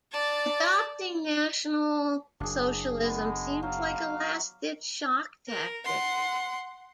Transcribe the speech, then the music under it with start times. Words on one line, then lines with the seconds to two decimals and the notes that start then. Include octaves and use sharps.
Adopting National-Socialism seems like a last ditch shock tactic.
0.12 D5 A5
2.40 F#1 D4 G#4
3.03 G#3 B3
3.63 F#3 F5
5.49 A#4
5.85 F#5 C6